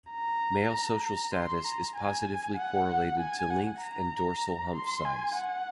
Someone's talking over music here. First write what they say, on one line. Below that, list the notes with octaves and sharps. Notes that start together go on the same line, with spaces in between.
Male social status is positively correlated to length and dorsal hump size.
A#5
A#5
C6
A#5
G#5
F#5
G#5
F#5
A#5
C6
G#5
F#5